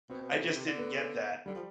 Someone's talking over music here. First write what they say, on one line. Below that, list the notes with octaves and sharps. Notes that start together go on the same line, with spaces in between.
I just didn't get that,
B2 C4
B2
B2
B2
C3
D3
B3
D3 G3
F3